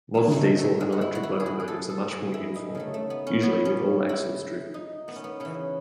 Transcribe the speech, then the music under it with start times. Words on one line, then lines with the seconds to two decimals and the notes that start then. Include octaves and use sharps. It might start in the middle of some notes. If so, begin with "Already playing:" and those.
Modern diesel and electric locomotives are much more uniform, usually with all axles driven.
0.14 C#3 F#3 A3
0.32 G#3 A3
0.58 A3
0.80 G#3
0.92 F#4
1.01 E4
1.15 F#4
1.23 E4
1.40 G#4
1.46 F#4
1.60 G#4
1.68 A4
1.90 A4
2.11 G#4
2.34 E4
2.55 D#4
2.75 C#3 F#3 A3
2.94 A3
3.10 B3
3.27 C#4
3.43 B3
3.65 C#4
4.09 E4
4.74 D#4
5.08 B3
5.16 C#4
5.24 B3
5.40 C#3 E3 C#4